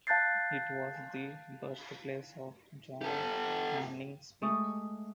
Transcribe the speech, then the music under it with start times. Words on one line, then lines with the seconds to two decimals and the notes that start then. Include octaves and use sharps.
It was the birthplace of John Hanning Speke.
0.07 F5 A5 F#6 G6 A6 C7
3.02 G4 A4
4.42 G#3 A3 G4 C#6 D#6